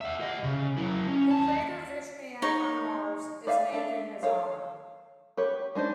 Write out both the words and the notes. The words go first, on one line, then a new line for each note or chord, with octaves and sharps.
The crater Vishniac on Mars is named in his honor.
E5 F#5
G4 D#5
C#3
F#3 E4
C#4
D#2 A5
D#4 C#5
D5 E5 F5 G#5
D4 A4 E5
A4 C#5 F5
G4 B4 C#5
G#3 D4 D#4 C5